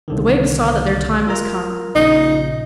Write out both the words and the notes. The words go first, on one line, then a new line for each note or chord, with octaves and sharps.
The Whigs saw that their time was come.
C2 D3 D#3
F4 A#4 A#5
A#1 A#2 C#3 D#4